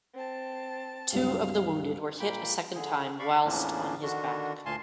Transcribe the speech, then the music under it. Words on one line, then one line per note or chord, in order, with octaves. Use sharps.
Two of the wounded were hit a second time whilst on his back.
C4 A5
C#2 G2 F#3 F5
A#2 A#3 G5 B5
D3 G#4
D5 F5 B5 C#6
E2 A2 F3 A#3 C#4 D4
D3 D#3 D4 F#4
D2 A#2 F5 G#5 A5 C6